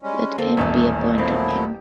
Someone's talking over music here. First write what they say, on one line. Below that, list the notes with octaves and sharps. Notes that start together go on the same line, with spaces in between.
Let "m" be a point on "M".
G3 G#3 C#4
F2 D3 A#3 C4 A4
D#1 A1 D#2 A3 B3 C#4 E4 D5
F3 F#3 A3 A#3 C4 E4
G4